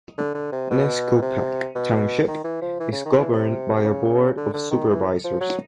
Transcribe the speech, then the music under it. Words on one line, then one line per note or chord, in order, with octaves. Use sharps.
Nescopeck Township is governed by a board of supervisors.
D3
D3
C3
B2
C3
B2
D#3
E3
F3
E3
C#3
D#3
E3
C3
C3
C#3
D3
D3
D#3
E3
F3
F#3